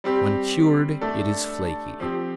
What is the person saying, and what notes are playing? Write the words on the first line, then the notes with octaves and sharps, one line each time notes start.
When cured it is flaky.
G3 C4 G4
A3 D4 A4
F3 C4 G4